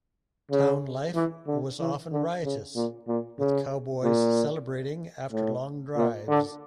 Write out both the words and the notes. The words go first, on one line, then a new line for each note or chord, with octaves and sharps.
Town life was often riotous with cowboys celebrating after long drives.
C#3
E3
D3
E3
D3
C#3
A#2
A#2
C#3
A#2
A2
A#2
D3